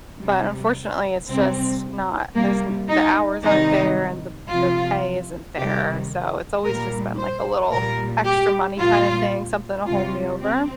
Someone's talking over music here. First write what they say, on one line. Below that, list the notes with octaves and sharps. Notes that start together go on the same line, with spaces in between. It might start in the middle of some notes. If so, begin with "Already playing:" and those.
But unfortunately, it's just not. There's n the hours aren't there and the p the pay isn't there. So it's always just been like a little extra money kinda thing, something to hold me over.
C3 G3
C3 G3 C4
C3 G3 A#3
D#4
C3 D#3 G3 D#4
C3 F3 F4
C3 D#3 G3 G4
A#2 G3 A#4
C5
A#2 G3 A#4
G4
A#2 G3 F4
C3 G3 F4
C4